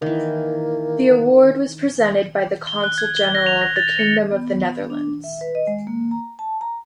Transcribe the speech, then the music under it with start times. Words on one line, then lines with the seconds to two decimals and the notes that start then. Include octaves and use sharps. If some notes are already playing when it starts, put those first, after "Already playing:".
The award was presented by the Consul General of the Kingdom of the Netherlands.
0.02 D#3 E3 A#3
2.67 G7
2.84 F#6
2.98 G#6
3.17 G7
3.35 A#6
3.46 F7
3.61 A#6
3.76 A6
3.99 C#7
4.31 B3
4.90 D4
5.24 E5
5.41 B4
5.55 D#5
5.67 G#3
5.87 A#3
6.11 A#5
6.39 A5
6.61 A#5